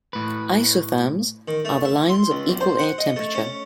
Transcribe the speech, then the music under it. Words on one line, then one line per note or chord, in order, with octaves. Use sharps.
"Isotherms" are the lines of equal air temperature.
A2 B4
D#3
A3
E5
C6
C#2
B1
C5
F#5
D#5
A3
C#4